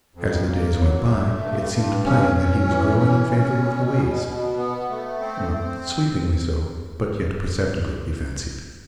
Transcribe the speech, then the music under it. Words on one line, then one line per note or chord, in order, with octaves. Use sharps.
As the days went by it seemed plain that he was growing in favor with Louise,--not sweepingly so, but yet perceptibly, he fancied.
F2
A#3
F#3
A3
G2
G2
C#4
C#4
E3
C#4
C#4
B2
B2
B2
B3
A3
C4
C4